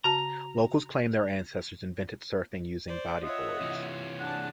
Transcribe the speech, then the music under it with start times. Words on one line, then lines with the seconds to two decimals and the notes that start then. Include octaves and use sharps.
Locals claim their ancestors invented surfing using body boards.
0.04 C#3 F#4 A5 A#5
2.87 C5 D5
3.23 F4 C#5 D#5 E5 F#5
3.61 C3 E3
4.20 D4 G#4 F#5 A5